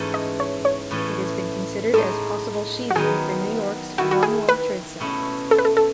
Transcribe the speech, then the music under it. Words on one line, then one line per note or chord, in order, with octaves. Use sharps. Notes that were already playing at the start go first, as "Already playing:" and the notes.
It has been considered as possible sheathing for New York's One World Trade Center.
Already playing: G#2 E3 A3 C#4
D#5
C#5
C#5
A2 E3 A3 C#4
A2 G#3 D#4 A4
F#4
D#3 F#3 B3 D#4 G#4
D#3 A3 E4 F#4
F#4
G#4
B4
B2 A3 C#4 E4
A4
B4
A4
A4